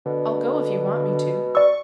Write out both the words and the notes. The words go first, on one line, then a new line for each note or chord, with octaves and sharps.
"I'll go if you want me to."
B2 D3
D5 C#6 E6